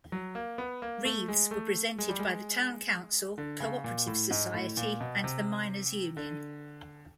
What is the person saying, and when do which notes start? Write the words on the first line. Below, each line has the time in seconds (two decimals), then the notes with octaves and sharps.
Wreaths were presented by the town council, co-operative society and the miners' union.
0.12 F#3
0.35 A#3
0.58 B3
0.82 A#3
1.05 A3
1.28 G#3
1.51 A3
1.98 G#3
2.09 G3
2.19 G#3
3.38 D3
3.60 C#3
3.84 A#2
4.07 A2
4.31 G#2
4.54 A2
4.77 A#2
5.00 B2
5.24 C3
6.17 D3